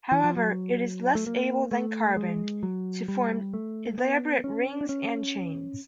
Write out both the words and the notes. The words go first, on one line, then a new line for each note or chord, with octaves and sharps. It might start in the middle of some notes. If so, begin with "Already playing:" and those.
However, it is less able than carbon to form elaborate rings and chains.
E3
F3
F#3
A3
A#3
A3
G#3
F#3
G3
A3
B3
C#4
D4
C#4